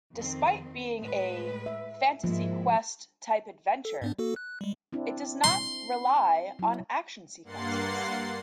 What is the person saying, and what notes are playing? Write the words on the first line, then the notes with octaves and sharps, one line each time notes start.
Despite being a "fantasy quest type adventure", it does not rely on action sequences.
F2 D#3 C4
A2 G#3 B4
E5
G#2 F3 G#3 A#3 E4
A4
G#2 B3 D4
A#3 F#4 A4
F#6
G3 G#3
C4 D4 E4
C6
F#3 E4
G2 A#3 F#5 C6 A6 C7